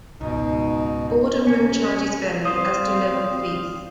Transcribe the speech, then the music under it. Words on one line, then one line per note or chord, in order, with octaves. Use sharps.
Board and room charges vary, as do local fees.
C#2 G#2 B2 D#4
C3 C#4
G3 C4 C5 F5 D#6